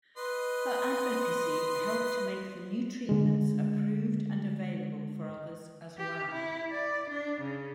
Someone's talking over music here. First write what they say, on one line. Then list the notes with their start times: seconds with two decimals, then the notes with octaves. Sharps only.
Her advocacy helped make the new treatments approved and available for others as well.
0.17 B4 D#5 C6
3.09 D3 G#3
5.97 G4
6.32 E4
6.71 D5
7.11 D4
7.41 C#3